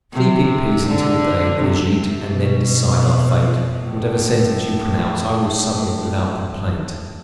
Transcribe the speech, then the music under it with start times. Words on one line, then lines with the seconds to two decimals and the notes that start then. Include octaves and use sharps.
Sleep in peace until day, Brigitte, and then decide our fate; whatever sentence you pronounce, I will submit without complaint.
0.13 C3
0.87 D3
1.60 C3
2.34 B2
3.81 A2